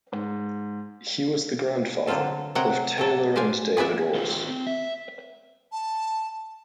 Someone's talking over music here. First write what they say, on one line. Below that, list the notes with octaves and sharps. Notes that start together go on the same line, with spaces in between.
He was the grandfather of Taylor and David Ross.
G#2
D3 F#3 C4 F4 A4
C3 F#3 F#5 G5 A#5
A2 F#3 A4
B4 C5 D5 F5 G#5
G#4 B4 D5 E5 F#5
D#3 C4 F4 G4 A4 C5
C4
E5
A5